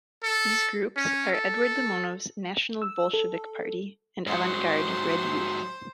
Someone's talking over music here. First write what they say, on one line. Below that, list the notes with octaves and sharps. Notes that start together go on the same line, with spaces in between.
These groups are Eduard Limonov's National Bolshevik Party and Avant Garde Red Youth.
A4
C#4
A4
E6
A4
G#2 F#3 C5